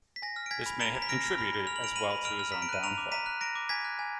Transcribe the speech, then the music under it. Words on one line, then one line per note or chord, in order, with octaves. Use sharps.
This may have contributed as well to his own downfall.
B6
G#5 A#6
F6
D7
G#5 G#6 B6
B5
A#5 D7 F7
A#5
B6
F6 A#6 D7
F6
B5
B5
F6 F7
F#7
F6 D7 F7
B5 D#7 F#7
B5
F6 D7 F7
F6
A#5 B6
D7
F#6 D#7
A#5 D7 F7
D6
A#5 B6 D#7
F#6
A#5 A#6 D7
D6
G#5 G#6 B6
F#6
G#5